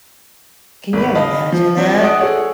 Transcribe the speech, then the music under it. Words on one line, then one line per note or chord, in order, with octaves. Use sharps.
Can you imagine that?
G#1 B5
D#5 F5 A5 B5
F3
F3 C4 D4
D4 F#4 F#5 A5 D#6 D7
G#4 A4 C#5 F#5